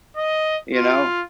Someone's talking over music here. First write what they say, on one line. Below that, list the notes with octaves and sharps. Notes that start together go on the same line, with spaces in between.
you know?
D#5
F4